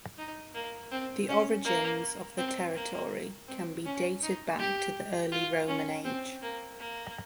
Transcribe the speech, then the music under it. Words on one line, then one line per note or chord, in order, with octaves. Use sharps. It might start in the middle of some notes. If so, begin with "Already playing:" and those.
The origins of the territory can be dated back to the early Roman age.
D#4
A#3
C4
C#4
A#3
C4
A#3
C4
C#4
D#4
G4
F4
C#4
C4
A#3
A#3